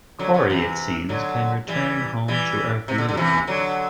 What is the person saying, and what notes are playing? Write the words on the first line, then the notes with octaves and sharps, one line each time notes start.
Corry, it seems, can return home to Earth immediately.
D3 F#3
D3 F#3
C3 E3
D3 F#3
E3 G3
E3 G3
C3
D3
D3
C3 E3
D3 F#3